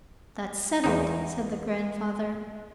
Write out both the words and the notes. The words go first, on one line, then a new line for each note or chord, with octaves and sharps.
"That's settled," said the grandfather.
E2 D#4